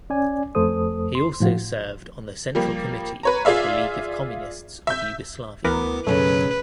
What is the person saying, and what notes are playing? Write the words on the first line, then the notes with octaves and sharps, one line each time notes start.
He also served on the Central Committee of the League of Communists of Yugoslavia.
C#4 D5 G#5
F2 A3 A4 C5 D#6
C6
A2 F3 F4 F#4
F3 G3 A#3
B4 C#5 A#5
F4 G#4 D5 E5 F5
E5 G6
D2 E3 B3 A#4 B4 D6
B1 F#2 A#2 C#3 F#3 A3 B4